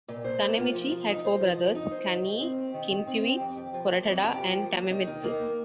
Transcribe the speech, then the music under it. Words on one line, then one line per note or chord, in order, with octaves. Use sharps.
Kanemichi had four brothers: Kaneie, Kinsue, Koretada, and Tamemitsu.
A#2
C5
A#3
F4
F3
F3
D#4
C5
F3
F3
D#4
C5
D#3
D#3
C4
G4
D#3
D#3
C4
G4
F2
G4
F3
A#3
F2
G4
F3
A#3
D#2
D#4
D#3
A#3